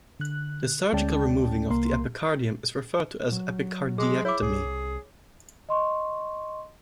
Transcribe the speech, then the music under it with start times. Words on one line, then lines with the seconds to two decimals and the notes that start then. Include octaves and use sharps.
The surgical removing of the epicardium is referred to as epicardiectomy.
0.20 D3 F#6
0.93 D2 G#3 C#4 D5 G5 A5
1.70 C2 A#3 A#4 C6
3.32 F#3
3.98 G#3 G#4 D#6
4.25 E4 C#5 D6
4.42 C2 G#4
5.69 D#5 C6 C#6